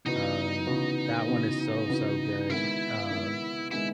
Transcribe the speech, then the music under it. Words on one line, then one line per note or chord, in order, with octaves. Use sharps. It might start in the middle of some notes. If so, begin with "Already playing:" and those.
Um, that one is so, so good, uh,
C#3 E3 B3 D#4 F#4 B4
C#3 E3 B3 F#4 B4
C#3 E3 B3 F#4 B4
C#3 E3 B3 F#4 B4
D#3 G#3 B3 E4
D#3 G#3 B3
D#3 G#3 B3 E4